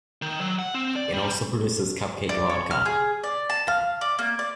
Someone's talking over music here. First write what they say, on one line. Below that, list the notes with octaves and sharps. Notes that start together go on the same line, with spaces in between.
It also produces Cupcake Vodka.
D#3
F#3
F#5
C4
D5
G3
D5
C#5
F6
G#4
D5
A5
F5
D5
A#3
D5